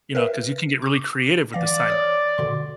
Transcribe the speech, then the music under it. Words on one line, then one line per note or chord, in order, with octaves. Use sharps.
You know, 'cause you can get really creative with the side
A#4 B4 E5
C#6 D6
E3 D5 F5 A#6
C#5 D#6 F6
B2 D3 C6